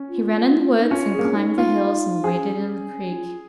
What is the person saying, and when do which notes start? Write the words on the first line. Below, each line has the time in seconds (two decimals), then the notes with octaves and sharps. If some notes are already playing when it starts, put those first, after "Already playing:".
He ran in the woods and climbed the hills and waded in the creek.
Already playing: C#4
0.09 F4
0.82 D#4
0.91 C#4 F4
1.14 A#3 G#4
1.25 C#4
1.36 D#4
1.58 F4
2.24 C#4 G#4
2.57 C#4
2.91 C#4
3.12 F4